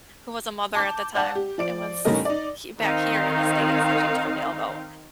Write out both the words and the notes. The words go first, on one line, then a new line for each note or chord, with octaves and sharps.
who was a mother at the time and was he back here in the States, and she told me all about,
A5 D6 G6
D5 F#5 A5
G4
F3 D5 D7
D#2 A2 G3 C#4 A#4 D#5
D#4 D5
D#3 C4 D#4 F5